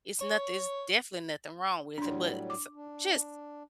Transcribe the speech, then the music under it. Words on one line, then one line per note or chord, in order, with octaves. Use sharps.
it's nothin it's definitely nothing wrong with it, but s just
C#5
A2 F#3 G3 D4 C6
D6
D4